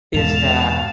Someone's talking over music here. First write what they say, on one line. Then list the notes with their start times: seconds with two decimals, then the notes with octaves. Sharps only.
is that
0.14 E2 G#2 B2 F5 A5 F7